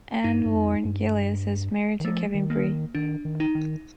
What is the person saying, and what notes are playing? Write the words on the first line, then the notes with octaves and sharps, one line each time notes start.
Anne Lorne Gillies is married to Kevin Bree.
G2 D#4
G2
F2
G2
D#3
F3 A3
D#3
A#3
D3
D#3
D#3 D4
D#3
D#4
D#3